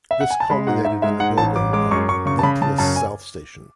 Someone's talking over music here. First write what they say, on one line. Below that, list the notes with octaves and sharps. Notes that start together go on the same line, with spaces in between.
This culminated in the building of Llynclys South station.
E5
F#5
G#5
A5
G#3 B5
G#2 F#5
G#2 E5
G#3 E5
G#2 F#5
A1 A5
A1 D6
G#3 D6
F#2 C#6
F#2 C#6
C#3 C#6
A5
C#3 B5
C#3 A5
F#2 A5
G#5